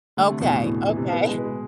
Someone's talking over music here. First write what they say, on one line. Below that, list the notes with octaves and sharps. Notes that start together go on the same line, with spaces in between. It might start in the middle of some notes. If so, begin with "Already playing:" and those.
Okay, okay.
D3 A3
C3
E2 B2
A2
A2 E3
E3
C3
B2 B4
G#3
B4
G#3